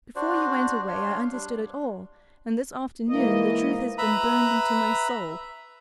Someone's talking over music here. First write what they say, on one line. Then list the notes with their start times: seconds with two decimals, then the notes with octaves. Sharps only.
Before you went away I understood it all, and this afternoon the truth has been burned into my soul.
0.16 D4 F#4 C5 D5
0.88 D4 C#5 F5 C6
1.31 G3 D4
3.09 G#2 E3 A#3 D#5
3.98 B4 E5 A#5 B5